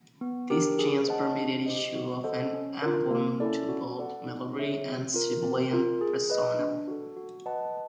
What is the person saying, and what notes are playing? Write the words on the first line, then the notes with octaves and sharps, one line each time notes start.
This change permitted issue of an emblem to both military and civilian personnel.
B3
D4 G4 A#4
G#4
C5 D#5 F#5 A5
D4
G4 C5 D#5
F#4
A4 C5 D#5 F#5
C#4
F4 A#4
A#3
C#4 E4 A4 D5
F#4
A4 D5 F#5
D#4
G#4 C#5 E5
C4
F4 A#4
C4
F4 A#4
G#4
B4 D#5
D4
F#4 A4
F#4
B4 D#5 F#5 A5